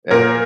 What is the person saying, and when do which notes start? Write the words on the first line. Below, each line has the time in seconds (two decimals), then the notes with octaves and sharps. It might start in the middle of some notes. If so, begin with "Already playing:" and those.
and, eh
0.11 A#2 A#4